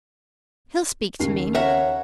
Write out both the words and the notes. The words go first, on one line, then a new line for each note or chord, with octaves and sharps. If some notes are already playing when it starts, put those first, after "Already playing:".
He'll speak to me.
D#2 C#3 C7
A#4 C#5 E5 F#5